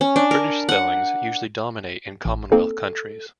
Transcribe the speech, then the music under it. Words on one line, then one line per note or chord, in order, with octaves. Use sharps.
British spellings usually dominate in Commonwealth countries.
C#4
D4
A#4
F#5
A1
A#3 C4 D#4 A4